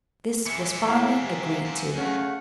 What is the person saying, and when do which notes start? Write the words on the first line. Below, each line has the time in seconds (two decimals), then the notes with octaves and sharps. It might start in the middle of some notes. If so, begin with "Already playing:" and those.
This was finally agreed to.
0.46 E3 G#3 E5 C6 D6 C#7
0.87 A2 F5 F#5 A#5
1.23 C3
1.65 F#2
1.98 C#3 A3 C#4 F#5